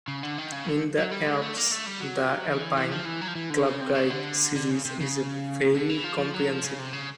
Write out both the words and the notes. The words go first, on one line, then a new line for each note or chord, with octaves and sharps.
In the Alps the Alpine Club Guide series is very comprehensive.
C#3
D3
D#3
C#3
D3
F#3
G3
G#3
A3
A#3
A3
G3
F#3
E3
E3
F3
E3
F#3
F3
E3
D3
C#3
C3
C#3
D3
D3
C#3
C3
C#3
D3
E3
F3
F3
F#3
F3
C#3
C3
C#3